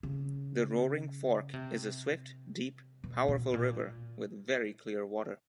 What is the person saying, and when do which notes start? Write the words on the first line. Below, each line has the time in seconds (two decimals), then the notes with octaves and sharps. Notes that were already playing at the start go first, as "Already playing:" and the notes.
The Roaring Fork is a swift, deep, powerful river with very clear water.
0.03 C#3
1.53 C3
3.04 B2
3.28 B2
3.54 A#2